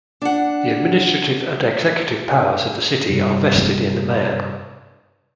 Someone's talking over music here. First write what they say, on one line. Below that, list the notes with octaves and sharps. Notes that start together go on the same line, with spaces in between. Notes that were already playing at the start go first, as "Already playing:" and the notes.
The administrative and executive powers of the city are vested in the mayor.
D4 F#5
G2 C3 G3